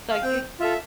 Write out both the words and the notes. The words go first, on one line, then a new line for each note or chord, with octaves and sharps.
So, you
F5
C4 G5
F4 A4 E5